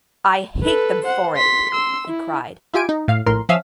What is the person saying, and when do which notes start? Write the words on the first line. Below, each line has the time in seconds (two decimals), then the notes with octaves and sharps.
"I hate them for it," he cried.
0.64 A4 B4
1.05 C5 F#5
1.36 C6 B6
1.71 C6 E6
2.08 E4
2.73 E4 F4 G4 G#5 D7
2.89 D#4
3.08 A2 F5
3.26 A#1 A2 A#4 C6
3.49 F3 C#4 E5 F5 D#6 E6